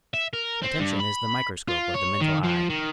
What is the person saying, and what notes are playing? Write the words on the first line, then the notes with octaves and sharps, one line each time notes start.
Attention is the microscope of the mental eye.
E5
A#4
C4
G2
B5
F4
C#5
D#3
F3
D#3